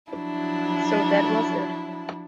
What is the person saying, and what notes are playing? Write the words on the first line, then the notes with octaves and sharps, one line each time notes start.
So that was it.
F3 F#3 D4 E4